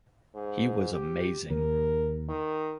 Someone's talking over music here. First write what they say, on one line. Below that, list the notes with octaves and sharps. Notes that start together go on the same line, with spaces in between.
He was amazing.
G#2
G4
D#2 A#4
D#3